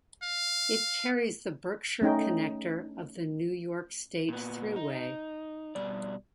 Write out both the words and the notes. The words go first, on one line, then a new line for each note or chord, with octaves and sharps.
It carries the Berkshire Connector of the New York State Thruway.
F5
A3 C#4 D#4 G5
A#2 B3
D#4
B2 G3 D5